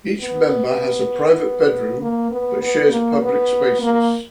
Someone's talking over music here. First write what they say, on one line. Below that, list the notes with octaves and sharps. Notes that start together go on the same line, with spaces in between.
Each member has a private bedroom, but shares public spaces.
B3
A#3
B3
B3
A#3
B3
A#3